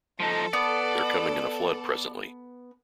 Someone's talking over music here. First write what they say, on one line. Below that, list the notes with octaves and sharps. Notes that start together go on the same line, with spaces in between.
They’re coming in a flood presently.
F3 D#4 A4
B3 D5